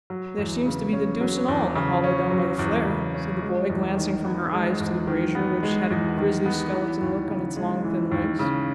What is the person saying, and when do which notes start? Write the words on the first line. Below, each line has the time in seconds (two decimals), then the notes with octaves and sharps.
'There seems to be the deuce-and-all in the hollow down by the flare,' said the boy, glancing from her eyes to the brazier, which had a grisly skeleton look on its long thin legs.
0.10 F#3
0.38 E2
0.66 C#3
0.93 C#4
1.21 F#3
1.48 E2
1.76 C#3
2.04 C#4
2.31 F#3
2.59 E2
2.87 C#3
3.14 C#4
3.42 G#3
3.69 E2
3.97 D#3
4.25 B3
4.52 G#3
4.80 E2
5.07 D#3
5.35 B3
5.63 G#3
5.90 E2
6.17 D#3
6.46 B3
6.73 E3
7.01 D#2
7.28 C#3
7.56 G#3
7.84 E3
8.11 D#2
8.39 C#3